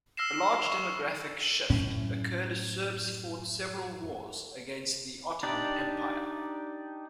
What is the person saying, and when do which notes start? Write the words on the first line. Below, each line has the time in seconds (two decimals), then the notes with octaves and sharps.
A large demographic shift occurred as Serbs fought several wars against the Ottoman Empire.
0.17 E6 F6 A#6 C7 E7
0.67 C#6
1.70 F#2 A2 C#4
5.43 D4 D#4 G4 D5